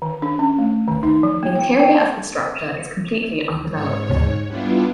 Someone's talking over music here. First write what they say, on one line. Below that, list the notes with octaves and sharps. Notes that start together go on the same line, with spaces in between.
The interior of the structure is completely undeveloped.
D#3
D4
C#4
A3
D#3
D#4
F3
A#3
G5
G5
A5
G#2 C#5
G3 B3 D4 E4 F4